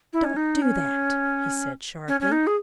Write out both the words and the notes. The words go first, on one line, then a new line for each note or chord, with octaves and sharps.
"Don't do that!" he said sharply.
E4
C#4
D#4
C#4
C#4
C#4
D#4
G#4